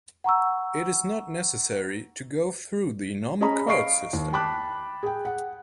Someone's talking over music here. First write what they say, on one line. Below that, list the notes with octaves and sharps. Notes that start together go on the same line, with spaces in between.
It is not necessary to go through the normal court system.
F#5 A#5 C#6 E6
C#4 G#4 D#5 A#5 B5
D#5 F5 C#6 C7 D7
D#2
G5 A5 B5 D6 F#6
G#4 G5
F#5